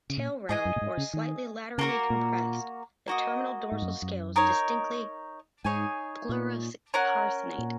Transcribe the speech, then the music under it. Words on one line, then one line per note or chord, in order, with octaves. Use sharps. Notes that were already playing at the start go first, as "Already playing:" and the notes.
Tail round or slightly laterally compressed, the terminal dorsal scales distinctly pluricarinate.
C#3
A#2
G#2 G#4 D#5 G#5
F#2
A#2
G#2
C#3
D#3
C#3 A#3 F#4 A#4
A#2
A#3 F#4 D#5
G#2
F#2
F#2
D#4 A#4 C#5
G#2 D#4 G#4 C#5 G#5
A#2
C#4 A#4 F#5
A#2